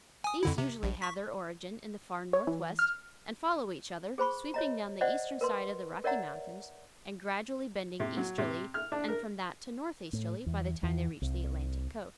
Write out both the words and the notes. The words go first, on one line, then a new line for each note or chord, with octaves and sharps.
These usually have their origin in the far northwest, and follow each other, sweeping down the eastern side of the Rocky Mountains and gradually bending easterly and from that to northeasterly by the time they reach the Atlantic coast.
G#5 D#6
F2 D3 E4
C3
A#1
C#6 B6
C#5
E3
F6
G#4 C5 B5 C#6
C#5 D#5 A#5
C5 D5 D#5 F#5
A#4 B4 C6
A#4 C#5 D5 E5 F#5 A#5
C3
F#3
C3
F6
D4
A#4
A2
E2
E2
C2